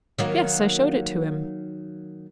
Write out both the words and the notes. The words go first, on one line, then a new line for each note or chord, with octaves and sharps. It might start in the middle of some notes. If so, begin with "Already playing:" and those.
"Yes; I showed it to him."
D#3 F#3 A#3